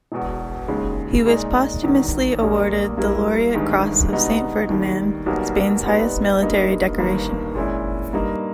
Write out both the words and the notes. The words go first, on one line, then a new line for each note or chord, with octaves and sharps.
He was posthumously awarded the Laureate Cross of Saint Ferdinand, Spain's highest military decoration.
E1 E2 B2
E1 D#2 C#3 G#3
A#2 G#3 D#4
E1 E2 D#3
A#1 A#2 G3 A#3
G2 G3 A#3 E4
G1 G2 D#3 G#3
C#2 B2 G3 B3 D#4
D#2 D#3 G3
B1 B2 G3 A#3
A#2 G3 B3 D#4
G1 G2 G3 A#3 D#4
G1 G2 D#3 A#3
A#2 G#3 C#4 E4
G2 G3 A#3 D#4